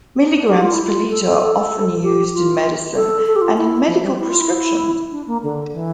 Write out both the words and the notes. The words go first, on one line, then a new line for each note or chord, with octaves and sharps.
Milligrams per litre are often used in medicine and in medical prescriptions.
D4
D4
G4
F4
E4
F4
A4
A4
A4
G4
F4
A4
A4
G4
F4
E4
F3
G3
E4
F4
E4
D4
A#3
D3
E3